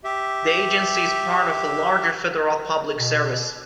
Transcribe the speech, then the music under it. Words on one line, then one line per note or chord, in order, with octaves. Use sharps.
The agency is part of the larger federal public service.
G4 E5
B2